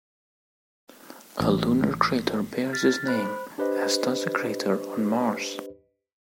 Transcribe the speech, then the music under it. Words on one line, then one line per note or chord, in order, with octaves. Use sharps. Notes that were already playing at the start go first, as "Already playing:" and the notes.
A lunar crater bears his name, as does a crater on Mars.
A1
F6 A6 B6
C5 B5 F#6
D4 G4 B4 C5 D#5